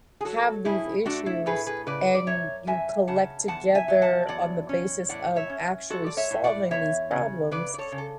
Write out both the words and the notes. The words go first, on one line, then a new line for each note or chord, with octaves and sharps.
have these issues and you collect together on the basis of actually solving these problems,
G#4
F#3 F#4 A4
A2 E4 G#4
A3 D4 F#4
E4
A2 G#4 B4
G#4 B4
C#3 B4 D5
D5
F#2 C#5 E5
F#2 E5 G#5
C#3 F#5 A5
E2 F#5 A5
E5 G#5
F#3
F#5 A5
E2 D5 F#5
C#4
A2 D5 F#5
C#5 E5
C#4
G#3 F#4 A4
D5
C#5 E5
A2
D5 F#5
E2 C#5 E5
C#3
C#3 B4 D5
D5
A4 C#5
C#3
A4